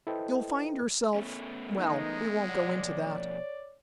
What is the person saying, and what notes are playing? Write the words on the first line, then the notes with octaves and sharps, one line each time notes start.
You'll find yourself--well, we won't go into that.
E4 A4 B4 C5 D#5 G5
A3 B3 C#4
E3 G#3 D#4
B2 F3 C#5 D5 F#5